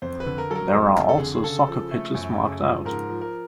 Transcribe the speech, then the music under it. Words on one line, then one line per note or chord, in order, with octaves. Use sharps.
There are also soccer pitches marked out.
F2 C5
B4
D3
A#4
F#3 A4
A#4
F1 A4
F2
A4
D3 G#4
G#4
C#3 A4
F3
A3
F#2
C#3
F3
G#2 A#4
F3
A#4